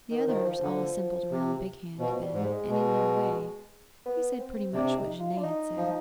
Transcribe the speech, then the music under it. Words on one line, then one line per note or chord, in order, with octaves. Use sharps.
'The others all assembled round Big Hand then, and, in their way, they said pretty much what Genet had said.
D#3
D#3 F3
F3
D3 F3
C3
B2 F3
G3
G#2
G#3
B2
B3
C4
C3 D4
D#4
F4
D4
D#4
F3